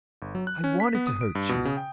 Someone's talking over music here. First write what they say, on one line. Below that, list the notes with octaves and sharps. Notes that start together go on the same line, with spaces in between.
I wanted to hurt you.
G1
F#3
F#6
C#4
B6
B3
D#6
D7
G2
B2
C#3
G5